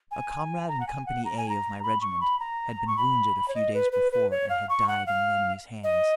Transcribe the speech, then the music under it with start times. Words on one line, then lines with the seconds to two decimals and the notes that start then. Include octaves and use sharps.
A comrade in Company A of my regiment had been wounded a few days before and had died in the enemy's hands.
0.11 G#5
0.68 A#5
0.80 F#5
0.87 G#5
1.06 F#5
1.25 A#5
1.38 G#5
1.49 A#5
1.83 B5
2.01 C#6
2.21 B5
2.40 A#5
2.88 C#6
2.97 B5
3.48 C#5
3.55 D#5
3.74 B4
3.92 B4
4.12 B4
4.31 C#5
4.49 F5
4.69 C#6
4.88 F#5
5.07 F5
5.84 D#5